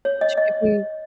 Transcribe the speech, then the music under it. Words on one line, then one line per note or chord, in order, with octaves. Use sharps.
She could be
C#5
D#5
D#5